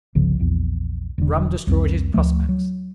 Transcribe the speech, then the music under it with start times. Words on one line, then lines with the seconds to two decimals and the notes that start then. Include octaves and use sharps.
Rum destroyed his prospects.
0.15 G1 C2 C#3 F3
0.39 A#1 E2
1.18 E1 D3
1.67 C2 F2
2.14 D2 F3 A3
2.49 F#3